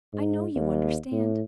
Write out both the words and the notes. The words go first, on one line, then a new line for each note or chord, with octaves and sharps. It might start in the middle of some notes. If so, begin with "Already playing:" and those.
I know you understand.
G#2
D#2
A2